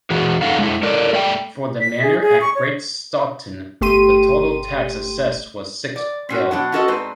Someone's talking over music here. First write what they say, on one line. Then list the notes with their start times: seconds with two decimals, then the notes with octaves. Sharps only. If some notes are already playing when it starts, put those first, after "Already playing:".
For the manor at Great Staughton the total tax assessed was six geld.
0.11 E3 F#4 G#4
0.42 A3 D#4 A4 F5 F#5
0.58 G#3 C#4 E4
0.83 A4 A#4 D5
1.13 A3 D5 G5
1.81 B6
2.02 G#4
2.22 G#4
2.41 C#6
2.55 C#5
3.81 G1 A3 G4 C6 D#7
5.96 D5
6.29 C4 C#4 F#4
6.51 B2 F#3 D4 F#5
6.72 C#4 F4 F#4 A4 C#5 D#5
6.88 G#2 C4 D4 B4